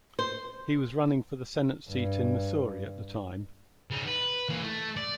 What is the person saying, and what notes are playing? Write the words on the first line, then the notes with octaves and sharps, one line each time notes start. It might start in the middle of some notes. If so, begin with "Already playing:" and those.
He was running for the senate seat in Missouri at the time.
C5
G2
C#3 D#4
B4
E3 A#3
A3
D5